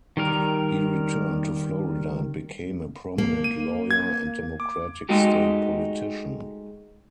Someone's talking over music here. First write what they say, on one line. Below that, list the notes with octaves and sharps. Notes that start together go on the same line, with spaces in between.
He returned to Florida and became a prominent lawyer and Democratic state politician.
D#3 G3 A#4
A#3
D#7
G#6
D6
G#3 A3 D#4 F#4 G4